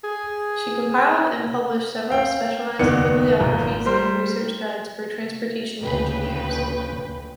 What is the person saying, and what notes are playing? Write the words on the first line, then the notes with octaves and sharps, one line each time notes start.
She compiled and published several specialized bibliographies and research guides for transportation engineers.
G#4
F5 G5
F#1 D#2 D#3 B3 D5 C#7
G#1 F4 A#4
G3 A#4 C5 C6
D2 A#2 C#3 F3 B4 G5